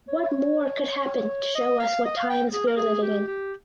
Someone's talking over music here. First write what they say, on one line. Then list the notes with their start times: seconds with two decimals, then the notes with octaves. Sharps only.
What more could happen to show us what times we are living in?
0.08 C#5
1.55 D#5
1.79 F5
2.05 D#5
2.17 F5
2.29 G5
2.54 G#4
2.67 A#4
2.77 G#4
3.02 G4
3.27 G4